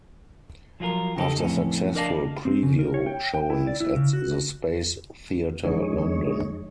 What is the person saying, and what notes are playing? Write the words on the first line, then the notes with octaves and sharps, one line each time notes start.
After successful preview showings at The Space Theatre, London.
F3 F#3 F4 G#4 A#4
C#3 D#4 G4 A4
F2 A2 C#4
D4 A#4 D5 D#5 F5 A5
C4
C#3
A#4
C#5
G5
G5
E4
D5
E4
C#3
F#4
F2 D3 G#3 D#4 C#5